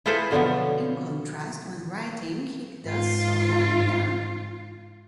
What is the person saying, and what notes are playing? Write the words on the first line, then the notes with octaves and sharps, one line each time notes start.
In contrast, when writing, he does so lying down.
E4 F4 G#4 A4 B4 C5
B2 D3 F3 F#3 B3
G#2 F4